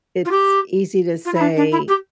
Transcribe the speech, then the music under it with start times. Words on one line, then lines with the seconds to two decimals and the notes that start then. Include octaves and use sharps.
it's easy to say,
0.25 F4
0.31 G4
1.25 F4
1.34 E4
1.40 D4
1.56 D4
1.71 E4
1.88 G4